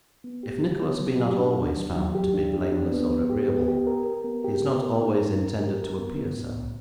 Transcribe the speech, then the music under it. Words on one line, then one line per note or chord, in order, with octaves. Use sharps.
If Nicholas be not always found to be blameless or agreeable, he is not always intended to appear so.
B3
G4
G4
B3
F#3
G4
D4
D4
F#3
F#3
G4
D4
G4
D4
B3
B3
G4
B3
G4
A#4
A#4
B3
G4
B3
A#4
D#4
A#4
A#4
G4
A#4
B3
B3
A2
A2